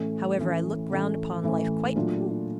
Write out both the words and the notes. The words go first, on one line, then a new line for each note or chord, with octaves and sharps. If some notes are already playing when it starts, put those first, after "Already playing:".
However, I look round upon life quite cool.
Already playing: A2 E3 A3 C#4
A2 E3 A3 C#4
A2 E3 A3 C#4
A2 E3 A3 C#4
A#2 F#3 A3 D4 F4